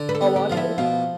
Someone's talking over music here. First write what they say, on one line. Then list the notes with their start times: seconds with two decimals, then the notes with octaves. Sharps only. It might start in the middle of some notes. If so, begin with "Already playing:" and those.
while watching.
Already playing: D3
0.09 B4
0.15 A4
0.21 B3
0.36 G4
0.50 F3 F4
0.57 E4
0.78 B2 F4